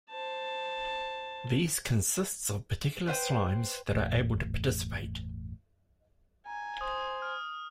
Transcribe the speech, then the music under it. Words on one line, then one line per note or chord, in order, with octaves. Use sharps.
These consists of particular Slimes that are able to participate.
C5 A5
B4 C5 F5 G5
G1 E2 A2
G#5 A#5
C5 D#6
F6